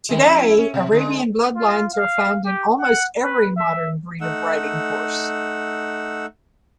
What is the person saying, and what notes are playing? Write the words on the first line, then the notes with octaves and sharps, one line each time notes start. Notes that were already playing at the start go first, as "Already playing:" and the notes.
Today, Arabian bloodlines are found in almost every modern breed of riding horse.
D3 D#3 G#3
F2 E4
C#4
B2
D3 G#3
F4
F5
G4
F#5
B4
E5
A3 D#4 F#5 E6